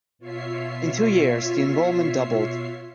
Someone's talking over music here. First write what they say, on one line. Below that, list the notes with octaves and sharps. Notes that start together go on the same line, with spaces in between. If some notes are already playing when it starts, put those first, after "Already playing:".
In two years the enrollment doubled.
B2 F4 C#5 E5 C7